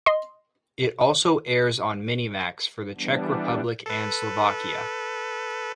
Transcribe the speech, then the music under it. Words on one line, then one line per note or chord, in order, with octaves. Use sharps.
It also airs on Minimax for the Czech Republic and Slovakia.
D#5 C6
E3 G3 B3 D4
A4 B4